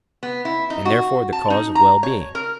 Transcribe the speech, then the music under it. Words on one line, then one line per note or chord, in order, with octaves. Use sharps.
And therefore the cause of well-being?
B3
E4
D#4
F#4
A5
D#4
A#5
C#5
A#4